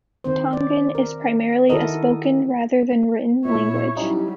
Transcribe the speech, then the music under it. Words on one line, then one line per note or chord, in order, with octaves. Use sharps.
Tongan is primarily a spoken, rather than written, language.
D#3 C4 C5
D5
A#4
D#3 E4 F#4 A4 A#4 D#5
A#2 E4 C#5
F#3 G3 C#4 D#4 E4